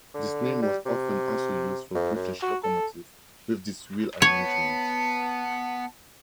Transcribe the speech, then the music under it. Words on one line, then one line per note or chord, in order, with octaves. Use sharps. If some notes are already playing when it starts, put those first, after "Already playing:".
This name was often also used for British locomotives with this wheel arrangement.
D3
G3
C3
F2
F#2
F#4
A4
B3 C#5 A5